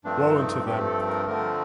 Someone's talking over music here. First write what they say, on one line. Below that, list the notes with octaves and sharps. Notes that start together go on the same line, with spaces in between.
Woe unto them!
G2 F3 A3 C4 D4
D#4
G2 F3 A3 C4 G4
A4
A#4
D3 F3 A3 C4 A#4